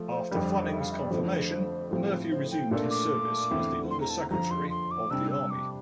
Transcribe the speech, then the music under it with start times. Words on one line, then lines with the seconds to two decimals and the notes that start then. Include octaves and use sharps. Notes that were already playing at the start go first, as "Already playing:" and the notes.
After Fanning's confirmation, Murphy resumed his service as the Under Secretary of the Army.
Already playing: F3 A3
0.11 C5
0.31 F2 D3 G3 A#4
0.41 C5
0.52 D5
0.62 C5
0.72 E5
0.81 F5
0.92 E5
1.01 D5
1.11 F2 D3 A3 D4 F4 C5
1.91 A2 F3 C4
2.32 C5
2.51 G5
2.71 A#2 A3 D4 A4 D5
2.91 D6
3.51 E2 D3 A3 C4 E4
3.91 C6
4.01 A#5
4.10 A5
4.21 A#5
4.31 F2 D3 F3 A#5
4.51 C6
4.70 C6
4.91 D6
5.11 C3 G3 D4 E6
5.31 E6
5.51 D6